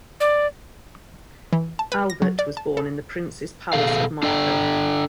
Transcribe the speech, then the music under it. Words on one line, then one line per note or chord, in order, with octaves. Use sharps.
Albert was born in the Prince's Palace of Monaco.
D5
E3
A5
B4
A#6
F#3
D5
A5
A4
B2 F#3 G#4 A4 F5
D4 A4 D5 G5